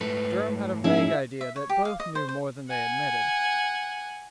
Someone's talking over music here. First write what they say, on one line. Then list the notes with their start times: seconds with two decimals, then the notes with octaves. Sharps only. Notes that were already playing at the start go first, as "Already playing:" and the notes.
Durham had a vague idea that both knew more than they admitted.
0.01 G#2 A3 B4
0.84 F3 C#4 D#4 E4 G#4 E5
1.41 E5
1.56 C#5
1.69 G4
1.85 F5
2.00 D#5
2.15 C5
2.29 C5
2.69 F#5 G#5